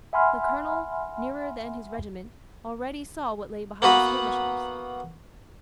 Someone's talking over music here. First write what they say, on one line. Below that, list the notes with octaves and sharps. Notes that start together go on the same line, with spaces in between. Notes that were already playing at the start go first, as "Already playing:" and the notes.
The Colonel, nearer than his regiment, already saw what lay behind the skirmishers.
E5 F#5 G#5 B5 C6 F6
A#3 B3 F#4 B4